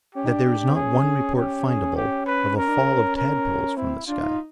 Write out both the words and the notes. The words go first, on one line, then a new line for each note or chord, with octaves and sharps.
That there is not one report findable of a fall of tadpoles from the sky.
C#4 G4
D#4
D4
D4
D4
C4
C#4 G#4
G4
G#4
G4
B4
C#4 A#4
D4
C#4
A#4
C4 E4
D4 F4
D#4